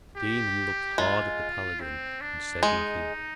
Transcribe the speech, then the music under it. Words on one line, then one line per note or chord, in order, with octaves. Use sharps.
The demon looked hard at the paladin, and said nothing.
G4
G#3 F4
C4
D4
G#3 D#4